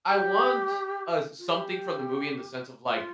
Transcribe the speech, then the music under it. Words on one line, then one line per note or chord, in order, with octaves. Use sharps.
I want, uh, s something from the movie in the sense of, like,
G4
F4
G4
F4